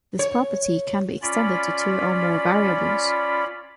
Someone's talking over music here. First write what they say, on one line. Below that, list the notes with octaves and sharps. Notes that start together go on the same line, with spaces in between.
This property can be extended to two or more variables.
C#5
C#4 F4 D5 B5